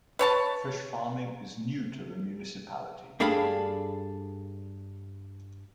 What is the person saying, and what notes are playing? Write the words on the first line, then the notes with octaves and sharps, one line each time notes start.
Fish farming is new to the municipality.
B4 C#5 A5
G2 D4 G#4 A4 F5 B5